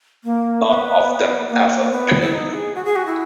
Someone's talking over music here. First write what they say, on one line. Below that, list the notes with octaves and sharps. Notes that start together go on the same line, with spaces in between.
None of them ever pay.
A#3
B3
A#3
A#3
B3
E4
D#4
G#4
F#4
G#4
F#4
E4